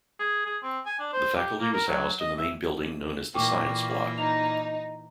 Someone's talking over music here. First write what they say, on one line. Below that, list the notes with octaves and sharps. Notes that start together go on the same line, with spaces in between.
The faculty was housed in the main building known as the "Science Block".
G#4
G#4
C4
G#5
D4
C5
G4
A#3
A#4
F#3
D#5
E5
A#2 E3 A#3 G5 C#6 D6
D#4 F7